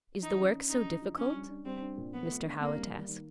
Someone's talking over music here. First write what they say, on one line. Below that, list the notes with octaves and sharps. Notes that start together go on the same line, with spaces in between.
"Is the work so difficult?" Mr. Howitt asked.
E3 D#4
C#4
C#4
C#3 D#4
D4
F3
C#4 D4
G3
D4
G3 C4
D4
A#2
F3 B3
A3
D4
C3 A#3
G3
G3
D#3